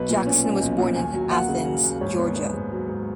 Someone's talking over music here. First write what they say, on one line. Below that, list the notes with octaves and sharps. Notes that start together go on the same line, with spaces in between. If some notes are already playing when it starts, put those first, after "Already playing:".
Jackson was born in Athens, Georgia.
Already playing: B1 B4
A#2
C#4
C#4
B1
A#2
D#2 G#5
F#3
A#3 F#5
C#3
F#3
D#2
G#2 C#5
B3
B3
G#2
F#3
G#2